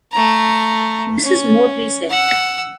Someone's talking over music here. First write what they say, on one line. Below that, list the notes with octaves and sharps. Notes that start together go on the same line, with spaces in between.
This is more recent.
A3 A#5
C#4
F#5 E6